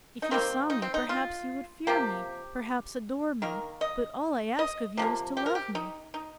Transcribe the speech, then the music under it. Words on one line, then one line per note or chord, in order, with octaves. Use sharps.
If you saw me, perhaps you would fear me, perhaps adore me, but all I ask of you is to love me.
D#4
D#3 G3 A#3 C4
D#4
C4
D#4
F4
C3 F3 A#3 G4
D#3 A#3 A#4
D#5
D#5
C3 F3 A#3
G4
A#4
G4
D#4
D#4